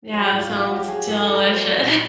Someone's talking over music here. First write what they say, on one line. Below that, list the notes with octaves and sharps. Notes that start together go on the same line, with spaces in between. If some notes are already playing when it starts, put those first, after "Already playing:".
Yeah, that sounds deliciou
F#3 G#4
G4
A2
F4
A2 F4
F#4
F#3
G4
F#3 G#4
A2 A4
A2 A4
A#4
F#3
C5
G3 D5
A#2